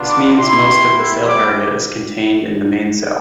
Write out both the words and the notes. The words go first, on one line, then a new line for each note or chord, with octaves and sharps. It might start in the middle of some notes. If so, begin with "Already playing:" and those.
This means most of the sail area is contained in the mainsail.
Already playing: B3 D4 F4
D6
B3 E4 G4 C6
D6